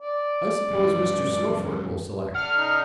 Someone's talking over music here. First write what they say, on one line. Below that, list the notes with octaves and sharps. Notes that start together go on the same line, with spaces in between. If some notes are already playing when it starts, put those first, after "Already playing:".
"I suppose Mr. Snowford will select."
D5
F#2 G#3
D5 F#5 F6
D#4